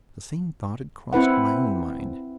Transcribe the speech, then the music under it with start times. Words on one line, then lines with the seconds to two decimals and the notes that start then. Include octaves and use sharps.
The same thought had crossed my own mind.
1.13 C4 E4 B4 F#5